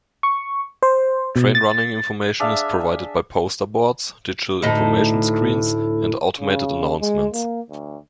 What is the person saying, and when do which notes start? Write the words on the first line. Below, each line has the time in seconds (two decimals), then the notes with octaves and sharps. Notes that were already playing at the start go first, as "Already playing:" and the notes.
Train running information is provided by poster boards, digital information screens and automated announcements.
0.23 C#6
0.83 C5
1.36 B2
1.55 A6
2.40 D4 G#4 E5 F5
4.62 D2 A2 D#4
6.40 C#3
7.01 G#3
7.33 A#3
7.70 D2